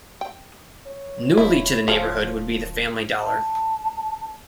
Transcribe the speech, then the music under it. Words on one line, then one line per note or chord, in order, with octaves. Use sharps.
Newly to the neighborhood would be the Family Dollar.
G5
C#5
D#1 F3 D#4 E4
D1 F3 C4 F4 G#4
A5